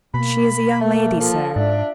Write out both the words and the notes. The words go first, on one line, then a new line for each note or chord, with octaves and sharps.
"She is a young lady, sir."
B2 A#3 B5
A3 A#3
F3 A4
G#2 D4 E5